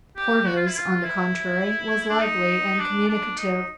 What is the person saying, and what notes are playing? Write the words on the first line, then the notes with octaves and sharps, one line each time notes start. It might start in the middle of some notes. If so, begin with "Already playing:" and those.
Porthos, on the contrary, was lively and communicative.
G4
F#4
F4
E4
F4
E4
D4
D#4
D4
D4
D#4